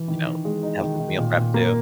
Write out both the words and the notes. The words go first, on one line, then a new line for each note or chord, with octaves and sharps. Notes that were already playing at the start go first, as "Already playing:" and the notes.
you know, helps with meal prep, too.
Already playing: E3
D#3
D#3
G#3
D#4
D#3
D#3
A#2
A#2
A#3